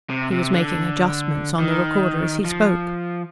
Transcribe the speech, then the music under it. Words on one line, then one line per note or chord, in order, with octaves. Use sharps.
He was making adjustments on the recorder as he spoke.
C3
C3
D3
D#3
F3